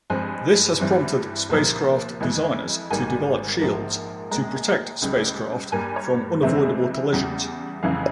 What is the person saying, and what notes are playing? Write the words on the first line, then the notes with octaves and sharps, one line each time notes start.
This has prompted spacecraft designers to develop shields to protect spacecraft from unavoidable collisions.
G2 F3 G#3 C4 G#5
G2 E3 G3 C4
C2 A#2 F3 A#3
F2 E3 G#3
G#1 G#2 G3 A#3 G#5
A#1 G#2 F3 A#3
A#1 A#2 G#3 A#5
C#2 C#3 G3
G2 G3 A#3 G#5
C#5
F2 C3 E3 G#3 C4 E5
E2 C#3 G3
F1 F2 C#3 E3 G#3 F5